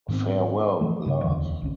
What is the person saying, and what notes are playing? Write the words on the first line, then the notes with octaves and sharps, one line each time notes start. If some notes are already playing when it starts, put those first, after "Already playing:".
Farewell Love!
G#2 D#3 B3 C4
E3 F3 A3
G2 C#3
D1 E2 D3 E3
G#1 C#2 C#4